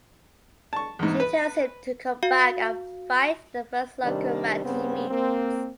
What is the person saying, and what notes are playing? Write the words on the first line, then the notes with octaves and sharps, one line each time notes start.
She tells him to come back and fight the first local man he meets.
A5 C#6
E2 G#2
B4
F#4 F5
C3 D#3 G3 D4
G2 C#3 B3 C4
A#3 C4